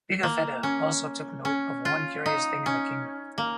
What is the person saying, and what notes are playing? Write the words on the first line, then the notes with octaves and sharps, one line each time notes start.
Pigafetta also took note of one curious thing in the kingdom.
A#3
C#4
C#4
F4
D#4
C#4
A#3